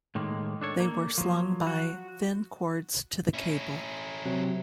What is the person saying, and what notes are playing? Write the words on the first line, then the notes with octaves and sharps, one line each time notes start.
They were slung by thin cords to the cable.
A2 D#3 G#3 A#3
D4 A4 C#5
A#3
F3 F#3
F#4
C#4 E4
C3 F#3